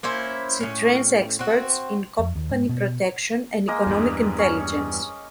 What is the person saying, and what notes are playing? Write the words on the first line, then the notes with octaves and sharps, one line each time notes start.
She trains experts in company protection and economic intelligence.
A#3 C#4 E4 C5
A2 C#4
C4 F#4
F2
D#2
G#2
B2
G#3 A#3 D#5
E2 G2
C#4